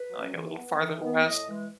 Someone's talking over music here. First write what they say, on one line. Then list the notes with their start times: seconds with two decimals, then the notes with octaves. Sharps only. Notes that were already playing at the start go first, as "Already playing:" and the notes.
like, a little farther west.
Already playing: B4
0.11 F#3 C#4
0.33 E3
0.57 B3
0.79 E3
1.03 B3
1.26 A2 D#5
1.48 E3 G#3